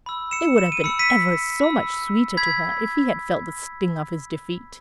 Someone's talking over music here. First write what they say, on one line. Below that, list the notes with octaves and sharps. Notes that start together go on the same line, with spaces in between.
It would have been ever so much sweeter to her if he had felt the sting of his defeat.
B5 E6
C#7 E7
E7
D#7
B5 E6 C#7
B6 D#7
B5 E6
B5 E6 G#6 B6